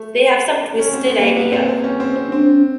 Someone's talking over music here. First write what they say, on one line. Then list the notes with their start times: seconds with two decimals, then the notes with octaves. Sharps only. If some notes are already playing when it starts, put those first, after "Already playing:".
They have some twisted idea.
Already playing: A3
0.79 C#4
0.93 C4
1.06 B3
1.20 A#3
1.36 B3
1.52 C4
1.68 C4
1.84 C#4
2.00 C4
2.16 C4
2.32 C4